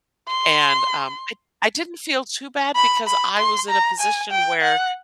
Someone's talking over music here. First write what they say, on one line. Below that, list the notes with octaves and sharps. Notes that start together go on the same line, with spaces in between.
And, um, I I didn't feel too bad because I was in a position where,
C6
B5
B5
C6
A#5
G#5
G5
F#5